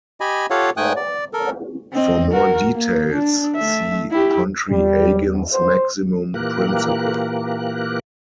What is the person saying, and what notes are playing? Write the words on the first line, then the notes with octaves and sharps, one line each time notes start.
For more details see Pontryagin's maximum principle.
G4 D#5 G#5 B5
F4 G4 A4 C#5 F5 F#5
G#2 A3 G5 G#5 D#6 F#6
D5
A4 A#4
C4 D#5
F#4 A#4
A#3
D4
A3 E5
E4 G4
E2 G3
C5
A#2 E3 A#3 G4 A#4 F#6